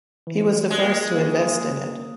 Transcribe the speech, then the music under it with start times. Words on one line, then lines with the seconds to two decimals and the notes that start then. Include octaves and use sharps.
He was the first to invest in it.
0.27 E3
0.56 G3
0.71 G#3
0.85 A#3
1.15 A#3